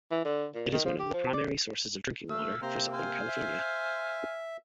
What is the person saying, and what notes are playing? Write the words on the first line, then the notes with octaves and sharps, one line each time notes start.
It is one of the primary sources of drinking water for Southern California.
E3
D3
A#2
D#3
F3
G4
F3
D5
A3 F5 E6
C3 A#3 C4 C5 A#5
C5 F5 G#5
E5